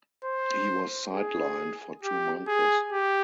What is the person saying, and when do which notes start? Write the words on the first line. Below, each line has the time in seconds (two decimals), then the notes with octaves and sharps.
He was sidelined for two months.
0.25 C5
1.13 G#4
2.03 G4
2.47 G#4
2.93 G4